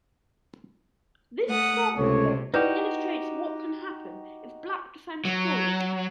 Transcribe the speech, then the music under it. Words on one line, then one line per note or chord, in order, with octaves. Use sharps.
This sample game illustrates what can happen if Black defends poorly.
A3 F#5 D#6
C#2 C3 A3 C#5
D#4 E4 F#4 G4 B4 D5 G6
F#3